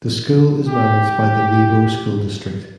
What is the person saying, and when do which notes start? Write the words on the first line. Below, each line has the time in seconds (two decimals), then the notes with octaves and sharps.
The school is managed by the Nebo School District.
0.69 G4